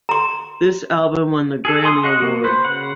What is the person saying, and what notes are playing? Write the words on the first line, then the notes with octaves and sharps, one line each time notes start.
This album won the Grammy Award.
A#5 C6
G#4 A4
G#5 C6 D#6
F#4 D#5 F#5
A#3 F#4
B4 C5
C#3 F#5